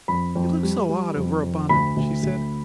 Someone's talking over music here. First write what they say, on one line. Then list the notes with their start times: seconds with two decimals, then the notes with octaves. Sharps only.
"It looks so odd over a bonnet," she said.
0.08 F2 B5
0.35 F2
0.63 G3
0.89 G3
1.15 F2
1.43 F2
1.69 D2 B5
1.96 D2
2.23 D2